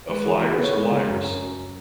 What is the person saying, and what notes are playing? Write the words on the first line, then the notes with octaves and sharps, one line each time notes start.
A Fliers or Liars?
G#3 B4
B4
E3 G#4
F#4
B3
G#4
B3 C#5
G#3
C#3
F#2
F#2